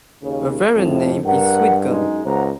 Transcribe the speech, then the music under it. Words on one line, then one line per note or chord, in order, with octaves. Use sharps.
A variant name is "Sweetgum".
D#2 C#3
F2 A2
G2 A#4 F#5
F#2 G#3 D#4
C#2 C5 F#5 A#5